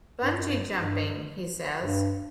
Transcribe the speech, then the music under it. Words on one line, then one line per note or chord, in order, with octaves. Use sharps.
"Bungee jumping," he says.
G2
F#2
G2
G2
G2